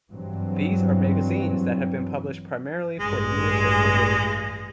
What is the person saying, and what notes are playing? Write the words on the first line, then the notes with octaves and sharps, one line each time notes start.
These are magazines that have been published primarily for a readership of women.
G2 E3 F#3 C4
A1 G2 G#3